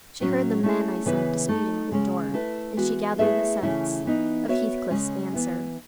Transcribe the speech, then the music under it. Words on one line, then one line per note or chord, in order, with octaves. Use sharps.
She heard the men I sent disputing at the door, and she gathered the sense of Heathcliff's answer.
A2 F#3 C#4
A3 C#4 E4 G#4
C#3 E3 B3 E4 B4
A3 D#4 A4
C#3 G#3 C#4
A3 E4 B4
E3 G#3 B3 F#4
A3 E4 G#4 B4 E5
C#3 E3 A3 C#4 E4
E3 B3 D#4
B3 F#4 C#5 E5
C#3 G#3 C#4
E3 B3 E4